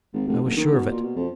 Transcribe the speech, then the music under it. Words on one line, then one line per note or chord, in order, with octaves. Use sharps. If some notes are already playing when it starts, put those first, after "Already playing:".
I was sure of it.
G#1
F1
F#1
D#3
B2
A#2
B2
F2